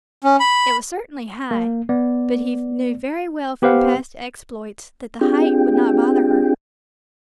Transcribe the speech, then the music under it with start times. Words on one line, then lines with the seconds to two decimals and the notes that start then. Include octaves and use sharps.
It was certainly high, but he knew very well from past exploits that the height would not bother her.
0.24 C#4
0.40 B5
1.51 A#3
1.89 B3 D5
3.62 B3 G4 B4 C5 F5 F#5
5.21 C4 D4 F4 G4 G#4 G5